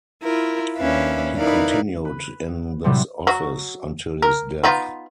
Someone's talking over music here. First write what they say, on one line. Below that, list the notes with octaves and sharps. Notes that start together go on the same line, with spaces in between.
He continued in this office until his death.
E4 F4 A#4
D#2 C#4 D4 B4 E5 F5
D#4 E4 A#4 B4 D5 F5
B4
A2 C3 F#3 G3 B3 C4
F#3 F#4
A#4
B3 D#4 F4